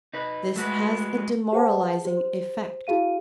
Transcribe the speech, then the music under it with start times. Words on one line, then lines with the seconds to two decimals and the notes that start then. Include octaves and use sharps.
This has a demoralizing effect.
0.13 D#4 B4
0.56 G#3 A3 F#4 B4
1.53 G4 G#4 B4 C5 F#5 A5
2.05 G4 C5
2.87 E4 F#4 G#4 F5 D#7